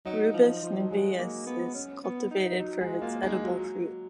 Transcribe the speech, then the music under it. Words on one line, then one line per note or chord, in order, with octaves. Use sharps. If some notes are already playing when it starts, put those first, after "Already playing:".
"Rubus niveus" is cultivated for its edible fruit.
F#3 D#4
F3
F3
F#3
F#3 G#3
A#3
B3
C#4
B3
D#4
F#3 D#4
G#3 F#4
A#3 F4
G#3 D#4
F#3 F4